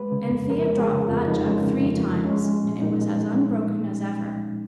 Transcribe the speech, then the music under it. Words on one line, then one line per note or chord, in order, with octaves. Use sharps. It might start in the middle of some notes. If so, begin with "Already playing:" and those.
Anthea dropped that jug three times, and it was as unbroken as ever.
Already playing: G#3 B4
C#3
F2
F3 A#4
G#3
G#4
C#3
F2 F4
F3 D#4
G#3 C#4
C#3
F2
F3
G#3 C#4
G#3
A#2
A#2 D#4
G#3
G#3